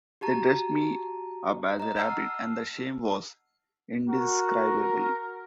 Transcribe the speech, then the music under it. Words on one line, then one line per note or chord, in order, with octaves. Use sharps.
They dressed me up as a rabbit, and the shame was indescribable.
F#4 G4 A5 A#5
D#5 A#5
F#5 A5 E6 F6 C7
F#4 A#4